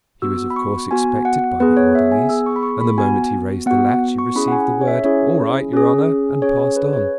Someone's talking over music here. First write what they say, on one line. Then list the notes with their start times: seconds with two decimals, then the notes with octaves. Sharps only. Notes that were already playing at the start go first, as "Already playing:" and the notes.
He was of course expected by the orderlies, and the moment he raised the latch he received the word: 'All right, your honor!' and passed on.
0.22 B3 F#4 E6
0.50 B5
0.56 C#6
0.91 B3 F#4 G#5
1.25 F#5
1.60 B3 G#4 B4
1.77 C#5
1.95 E5
2.12 G#5
2.29 B3 G#4 E6
2.46 C#6
2.56 B5
2.63 C#6
2.81 B5
2.98 B3 F#4 G#5
3.66 B3 F#5
3.71 F#4
4.18 C#6
4.36 C#4 E4 G#4 B5
4.48 F#5
4.52 G#5
4.81 C#5
4.88 E5
5.04 C#4 E4 G#4 C#5
5.73 C#4 G#4
6.42 C#4 G#4 C#5
6.59 C#5
6.76 B4
6.93 C#5